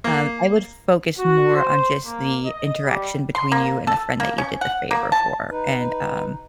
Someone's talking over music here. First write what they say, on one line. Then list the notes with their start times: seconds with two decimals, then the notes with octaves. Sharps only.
Um, I would focus more on, just, the interaction between you and the friend that you did the favor for, and, um,
0.04 A#3
1.17 F#4
1.56 C5
2.06 A#3
2.45 D#5
2.84 G3
3.35 C6
3.52 A#3
3.87 A4
4.20 A#3
4.38 C#4
4.61 F#5
4.91 A#3
5.12 A5
5.51 D#4 B4